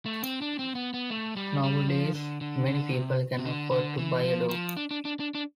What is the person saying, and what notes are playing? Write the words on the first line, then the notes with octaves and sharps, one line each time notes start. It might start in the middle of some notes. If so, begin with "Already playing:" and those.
Nowadays, many people can afford to buy a dog.
A3
C4
D4
C4
B3
B3
A3
G3
G3
F3
D3
D3
D3
C3
C3
D3
D3
E3
F3
F3
D4
D4
D4
D4
D4